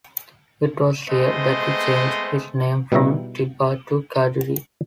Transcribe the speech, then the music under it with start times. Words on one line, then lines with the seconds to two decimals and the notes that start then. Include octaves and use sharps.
It was here that he changed his name from Diba to Kaduri.
1.09 G#3 A3 B3 C4 C5 D#5
2.92 B2 G3 D#4 E4 E5 A#5